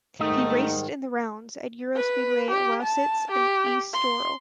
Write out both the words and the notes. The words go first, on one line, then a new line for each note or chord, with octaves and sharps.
He raced in the rounds at EuroSpeedway Lausitz and Estoril.
G#2 D#3 G3 A3 D#4 D#5
B4
G4
A5
G4
C6